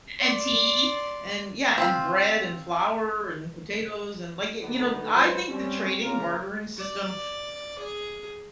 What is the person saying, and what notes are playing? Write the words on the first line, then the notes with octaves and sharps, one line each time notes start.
and tea, and yeah, and bread and flour and potatoes and like, it you know, I think the trading, bartering system
D5 C6
C4 F4
D3 F#3 A3 B3 D4 D#4
F#3 G#3 F4 B4 C5
G3 C4 C#4
C#3 A#3 F4 A#4
D5
G#4